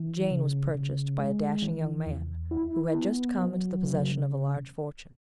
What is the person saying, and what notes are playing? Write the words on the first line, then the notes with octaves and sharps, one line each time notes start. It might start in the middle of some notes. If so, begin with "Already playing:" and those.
Jane was purchased by a dashing young man, who had just come into the possession of a large fortune.
Already playing: E3
C#3
C#3
G#3
E3
E2
E4
B3
F#3
C#3